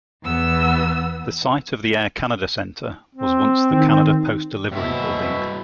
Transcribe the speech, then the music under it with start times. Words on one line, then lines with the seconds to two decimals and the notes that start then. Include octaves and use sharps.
The site of the Air Canada Centre was once the Canada Post Delivery Building.
0.24 E2 B3 E6
3.15 C4
3.72 D#3
4.71 G2 B2 F#3 E4 E5